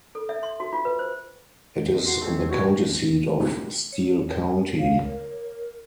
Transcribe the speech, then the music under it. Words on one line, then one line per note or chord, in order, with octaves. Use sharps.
It is the county seat of Steele County.
A4
E5
C6
F#4
F4
B4
C5
F#4 C6
A3 C4 C#4
F#4 G4 B4 C#5
C#5
F5
A#4